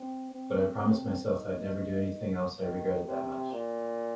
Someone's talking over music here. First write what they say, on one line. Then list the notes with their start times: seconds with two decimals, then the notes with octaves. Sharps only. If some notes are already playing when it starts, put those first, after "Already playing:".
But I promised myself I'd never do anything else I regretted that much.
Already playing: C4
0.32 C4
0.77 C4
1.24 D#4
2.60 D#3
3.06 C3
3.51 A#2